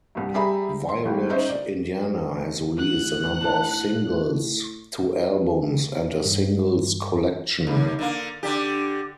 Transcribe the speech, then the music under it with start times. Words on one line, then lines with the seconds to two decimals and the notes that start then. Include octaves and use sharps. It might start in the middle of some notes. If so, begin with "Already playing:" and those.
Violet Indiana has released a number of singles, two albums and a singles collection.
0.15 C2 G2
0.34 G3 G4 G#4 E5 A#5 B5
0.89 C6
1.05 G1 G3
1.30 C#4 D#4 C5 E5
1.49 D5
2.78 A2 F#5 F#6
3.41 B3 D4 A5
6.25 G2
7.67 D#2
7.99 D3 A#3
8.43 D3 D4 G4